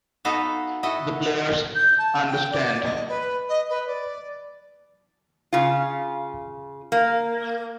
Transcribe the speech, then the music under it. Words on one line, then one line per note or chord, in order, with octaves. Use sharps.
The players understand.
B3 D#4 F#4 A4 B4 F5
E4 F#4 A4 D#5
G6
A5
G5
D5
D#5
B4
D#5
B4
D5
C#3 F4
A#3